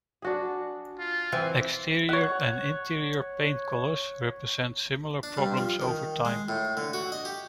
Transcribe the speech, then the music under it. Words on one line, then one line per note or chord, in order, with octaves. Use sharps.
Exterior and interior paint colors present similar problems over time.
D4 F#4 G#4
F4
E3 C4
C#5 F#5
D4
G2
F3
D#3
G#3
A2
D3
F#4
D#5
G4